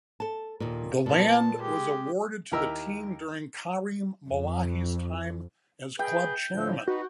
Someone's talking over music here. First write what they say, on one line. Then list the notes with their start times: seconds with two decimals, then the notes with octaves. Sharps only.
The land was awarded to the team during Karim Malahi's time as club chairman.
0.20 A4 A5
0.60 D#2 A#2
1.06 A#2 B3 A5
1.58 G#3 G4
2.52 D#2 E4 G4 A#4 D#5 E6
4.26 F2
5.99 G#4 B4 G5
6.52 A2 D3 F3
6.88 D#4 F#4 B4